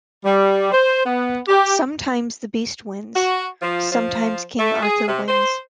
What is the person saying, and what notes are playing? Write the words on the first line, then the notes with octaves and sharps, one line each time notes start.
Sometimes the beast wins, sometimes King Arthur wins.
G3
C5
B3
G4
F#4
F3
F3
A3
G#4
C3
C5